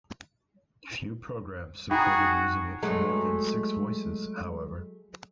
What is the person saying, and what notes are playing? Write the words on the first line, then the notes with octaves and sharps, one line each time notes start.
Few programs supported using it for more than six voices, however.
D#4 F#4 G#4 G5 A#5
F#3 G#3 A3